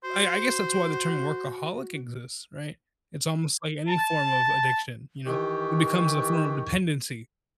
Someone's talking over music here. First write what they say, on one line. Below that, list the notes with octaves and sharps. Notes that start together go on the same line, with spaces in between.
I I guess that's why the term workaholic exists, right? It's almost like any form of addiction, you know? It becomes a form of dependency.
F#4 C5
A5
D#3 E3 G4 C#6